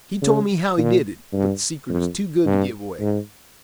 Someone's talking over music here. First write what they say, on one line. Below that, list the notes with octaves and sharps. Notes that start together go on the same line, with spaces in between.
He told me how he did it, but the secret is too good to give away.
C#3
A#2
G2
F2
G2
G#2